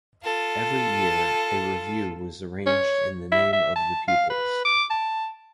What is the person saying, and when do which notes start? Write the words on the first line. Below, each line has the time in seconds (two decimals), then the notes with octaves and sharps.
Every year, a revue was arranged in the name of the pupils.
0.24 F4 A4
2.66 C#5
3.32 E5
3.53 E5
3.76 A5
4.08 F5
4.30 B4
4.65 D6
4.90 A5